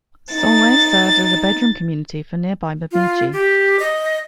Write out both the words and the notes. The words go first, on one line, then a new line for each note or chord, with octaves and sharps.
Solway serves as a bedroom community for nearby Bemidji.
D#4 A6
F4
G4
D#5